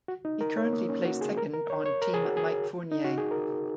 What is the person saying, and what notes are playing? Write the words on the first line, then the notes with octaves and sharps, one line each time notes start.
He currently plays second on Team Mike Fournier.
F#4
D#4
A#4
C#5
A#3
C#4
F#4
G#4
A#4
A#4
C#5
C#5
A#4
G#4
F#4
G#4
D#4
F#4
G#4
A#4